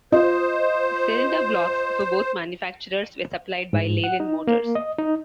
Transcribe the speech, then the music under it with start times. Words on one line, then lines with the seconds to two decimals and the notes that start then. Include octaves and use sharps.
Cylinder blocks for both manufacturers were supplied by Leyland Motors.
0.12 F4 C5 D#5
3.73 G#2
4.04 F#5
4.20 D#4
4.47 A#3
4.75 D#5
4.98 D#4